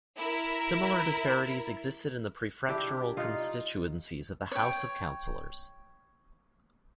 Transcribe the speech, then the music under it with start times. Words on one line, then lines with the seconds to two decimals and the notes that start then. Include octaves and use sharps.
Similar disparities existed in the prefectural constituencies of the House of Councillors.
0.17 E4 A#4
2.69 D4 E4 G4
3.17 D#4 F4
4.52 C#5 G5